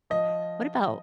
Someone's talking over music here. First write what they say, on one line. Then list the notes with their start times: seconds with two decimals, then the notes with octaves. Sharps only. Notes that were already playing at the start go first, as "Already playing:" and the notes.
what about,
0.10 F3 D#5